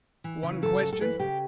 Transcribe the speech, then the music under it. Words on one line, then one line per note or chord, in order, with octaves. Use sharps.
"One question."
E3
C#3
F#2 A4
F#2
A4
E3 B4
C#3 G4